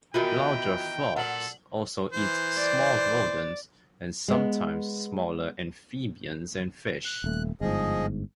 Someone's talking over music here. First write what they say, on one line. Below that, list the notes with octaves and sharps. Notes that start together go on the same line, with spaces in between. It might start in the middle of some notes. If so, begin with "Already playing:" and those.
Larger frogs also eat small rodents and sometimes smaller amphibians and fish.
D#3 E3 B3 F4 F#4 A#4 G5
A#2 A4 F#5 F#7
E3 C5
D5
G#3 B3
F#6
D#1 A3
G1 G#2 F3 G#4 D#5